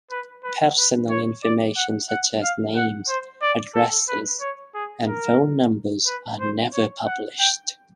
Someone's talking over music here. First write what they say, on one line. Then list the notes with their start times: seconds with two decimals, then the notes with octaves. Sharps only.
Personal information such as names, addresses, and phone numbers are never published.
0.11 B4
0.44 B4
0.77 B4
1.10 C#5
1.44 D5
1.77 F#5
2.09 F#5
2.42 F5
2.76 F#5
3.09 C5
3.42 D5
3.75 A4
4.09 B4
4.41 C#5
4.75 G#4
5.08 A#4
6.07 B4
6.40 C5
6.73 C#5
7.07 F#5
7.39 G5